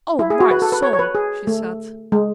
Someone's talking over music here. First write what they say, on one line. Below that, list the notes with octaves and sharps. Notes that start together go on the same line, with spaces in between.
"O! my soul!" she said.
E4
G#4
F#4
B4
A4
B4
C#5
C#5
B4
G#4
A3
G#3